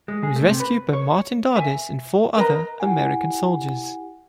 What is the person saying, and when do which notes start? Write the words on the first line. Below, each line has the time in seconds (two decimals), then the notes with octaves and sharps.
He was rescued by Martin Dardis and four other American soldiers.
0.08 G#3
0.23 G#4
0.36 A3
0.48 C3
0.60 B4
0.93 C#5
1.56 E5 G#5
2.36 A#4 B4 D#5 A#5
2.80 E4 G4 F#5 G#5